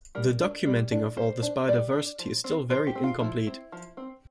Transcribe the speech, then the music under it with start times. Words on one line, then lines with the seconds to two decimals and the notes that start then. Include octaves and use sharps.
The documenting of all this biodiversity is still very incomplete.
0.15 G3 A#4
0.41 D4
0.66 G3
0.92 D4
1.17 G3 C5
1.42 D4
1.68 G3 D5
1.93 D4
2.19 F3
2.44 C4
2.70 F3 C5
2.87 G4
2.95 C4
3.04 F4
3.21 F3 E4
3.47 C4
3.72 F3
3.97 C4